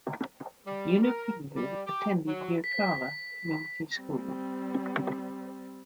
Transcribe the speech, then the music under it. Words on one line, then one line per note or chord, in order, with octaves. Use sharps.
Yunupingu attended Yirrkala Community School.
G3
A#4
G3
G4
F#3
B6
G3 C4